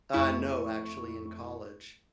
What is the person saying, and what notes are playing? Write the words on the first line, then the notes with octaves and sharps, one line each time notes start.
Uh, no actually, in college
F2 A3 E4 C#6